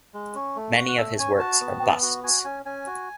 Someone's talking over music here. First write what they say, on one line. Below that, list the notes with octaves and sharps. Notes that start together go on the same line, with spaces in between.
Many of his works are busts.
G#3
C#4
A3
F#4
F#5
A3 E5
C#4 G#5
F#4 A5
B3
B3
F#4
F#4 G#5
C#4 G#5
C#4 G#5
F#4